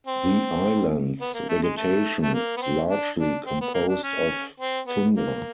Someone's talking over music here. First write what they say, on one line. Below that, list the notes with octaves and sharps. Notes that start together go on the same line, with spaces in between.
The island's vegetation is largely composed of tundra.
C4
B3
A#3
A3
G#3
A3
A3
A#3
B3
C4
D4
D4
C4
B3
A#3
D4
C#4
C4
B3
A#3